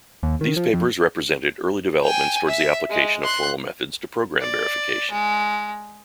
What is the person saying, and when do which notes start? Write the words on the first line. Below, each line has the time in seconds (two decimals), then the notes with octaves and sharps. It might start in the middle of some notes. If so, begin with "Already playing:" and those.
These papers represented early developments towards the application of formal methods to program verification.
0.23 D#2
0.41 D#3
0.56 F3
0.73 F2
2.04 G5 G#5
2.47 E5
2.90 G#3
3.24 C6 F#6
4.41 D5
5.11 G#3